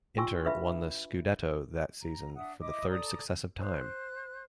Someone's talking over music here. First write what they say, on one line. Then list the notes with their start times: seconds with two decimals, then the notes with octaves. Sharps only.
Inter won the "Scudetto" that season for the third successive time.
0.17 F4 G5 G#5 C6 C#6 E6
0.45 D4 B4 E5 F5 B5
2.02 A#5
2.36 D4 E5 F#5 D#6
2.60 E4 D#5 D6 D#6
2.90 A4 D5 A#5 D#6
3.60 C5 F#6